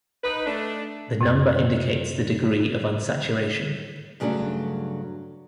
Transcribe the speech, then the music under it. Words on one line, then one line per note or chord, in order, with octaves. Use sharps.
The number indicates the degree of unsaturation.
D#4 B4
A3 D4
F#2 C3
G2 C#3 F#3 A3 C#4 D4